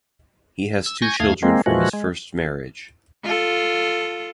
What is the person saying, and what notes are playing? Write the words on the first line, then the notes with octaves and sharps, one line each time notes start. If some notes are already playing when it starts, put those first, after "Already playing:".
He has two children from his first marriage.
E6
G#5 C#6 G6 G#6 A#6
D#2 A3 F5 D#6 G#6
G#3 A#3 C4
A#2 E3 F3 G#3 F#4
G#3
F4 A4